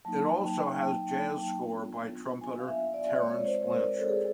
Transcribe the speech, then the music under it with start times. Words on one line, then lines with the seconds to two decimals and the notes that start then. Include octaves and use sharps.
It also has jazz score by trumpeter Terence Blanchard.
0.05 F#3 A#3 D#4 A5
0.31 G5
0.58 G5
0.83 G5
1.62 B3 D4 F4
2.41 G#5
2.59 F5
2.67 E5
2.94 D5
3.13 D5
3.21 G#3 C4 F4 C#5
3.46 C5
3.72 A#4
3.98 A4
4.09 G#4
4.17 A4